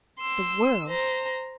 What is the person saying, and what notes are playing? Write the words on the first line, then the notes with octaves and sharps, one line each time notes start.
The world!
C6 E6
C5 A#5